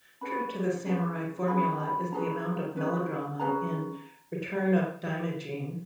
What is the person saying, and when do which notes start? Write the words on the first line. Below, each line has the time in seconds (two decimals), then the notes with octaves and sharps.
True to the samurai formula is the amount of melodrama in "Return of Daimajin".
0.21 C#4 G#4 B4 B5
0.85 C#4 G#4 B4
1.48 C#4 G#4 B4 B5
1.80 B5
2.12 C#4 G#4 B4 A#5
2.76 C#4 G#4 B4
3.40 C#4 G#4 B4 A#5